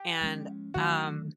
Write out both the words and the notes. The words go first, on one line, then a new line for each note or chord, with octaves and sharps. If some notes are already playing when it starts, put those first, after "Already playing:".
and, um
Already playing: G4
F3 G#3 C#4
D#3 F#3 A3 D4 F#4